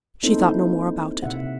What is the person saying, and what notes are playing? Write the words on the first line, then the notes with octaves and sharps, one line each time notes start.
She thought no more about it.
A#3 C4 D#4 E4 A4 C5
C3 E5 F#5